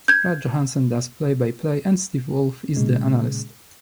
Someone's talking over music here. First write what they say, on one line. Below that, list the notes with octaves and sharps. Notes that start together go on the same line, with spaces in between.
Brad Johansen does play-by-play and Steve Wolf is the analyst.
G6 G#6
A#2 C#3 G#3